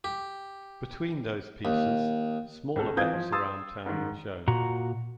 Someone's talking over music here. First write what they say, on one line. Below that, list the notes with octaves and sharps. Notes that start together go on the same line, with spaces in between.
Between those pieces, smaller bets around town were shown.
G4
D#2
C#2 A4
E3 C4 F4 D#6 G6 G#6
F3
F5 C6 D#6 E6 A6
G#2 D#3
A#2 F#4 A#5